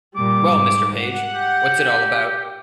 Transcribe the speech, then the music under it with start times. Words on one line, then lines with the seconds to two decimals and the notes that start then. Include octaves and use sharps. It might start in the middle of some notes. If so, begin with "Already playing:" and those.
Well, Mr. Page, what's it all about?
0.16 A#2 G3 D6
0.52 G#2
1.01 F#5
1.33 G4